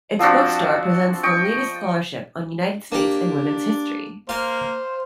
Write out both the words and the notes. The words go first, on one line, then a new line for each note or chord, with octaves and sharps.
Its bookstore presents the latest scholarship on United States and women's history.
F3 C4 D4 F#4
D#5 G5 C#6
A#3 D4 G4
A#3 F4 C5 F5